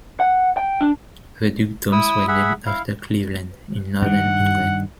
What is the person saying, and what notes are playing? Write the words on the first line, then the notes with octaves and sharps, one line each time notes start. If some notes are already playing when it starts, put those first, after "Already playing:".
The dukedoms were named after Cleveland in northern England.
F#5
G5
D4
E4 D#6 E6
G#4 E5 F#5 B5
E4 F5
G2 D#3 F#5